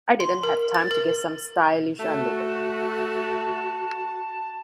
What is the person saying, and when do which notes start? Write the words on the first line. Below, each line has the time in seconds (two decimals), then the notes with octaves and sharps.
I didn't have time to get some stylish underwear.
0.20 C6
0.43 A#4
0.74 A6
0.91 A#4
1.99 A3 F#4 A5